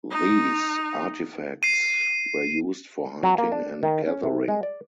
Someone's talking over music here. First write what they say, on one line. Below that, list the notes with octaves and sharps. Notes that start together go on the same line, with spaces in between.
These artifacts were used for hunting and gathering.
D#4
C7 D#7
F#3
A#3
D4
D#3
C#4
C3
G#3
D5